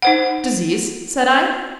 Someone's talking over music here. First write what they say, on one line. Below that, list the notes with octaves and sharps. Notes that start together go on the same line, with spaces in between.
"Disease?" said I.
D#4 C5 F#5